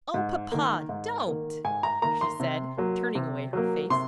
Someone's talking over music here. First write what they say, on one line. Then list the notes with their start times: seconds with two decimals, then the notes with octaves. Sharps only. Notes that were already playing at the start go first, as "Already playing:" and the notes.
"Oh, papa, don't!" she said, turning away her face.
0.14 G#2
0.52 D#3 A#3
0.89 G#2
1.27 D#3 A#3
1.64 G#2 G#5
1.83 A#5
2.02 D#3 A#3 A#5
2.21 C6
2.40 C3
2.77 F#3 A#3
3.15 C3
3.53 F#3 A#3
3.90 C3 C6